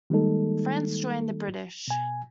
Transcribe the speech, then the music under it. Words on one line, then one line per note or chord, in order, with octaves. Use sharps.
France joined the British.
D#3 G3 G#3 A#3 D#4 A4
B2 G#5